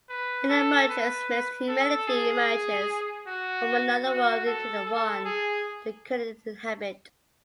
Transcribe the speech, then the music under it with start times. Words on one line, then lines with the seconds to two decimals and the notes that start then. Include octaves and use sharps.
In emergence myths humanity emerges from another world into the one they currently inhabit.
0.09 B4
0.49 A4
0.89 B4
1.68 A4
2.07 G#4
3.27 F#4
4.06 F#4
4.46 A4
4.85 A4
5.25 G#4